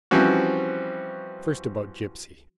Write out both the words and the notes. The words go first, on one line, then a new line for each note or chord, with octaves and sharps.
First about Gypsy.
E3 F3 G3 C4 C#4 F#4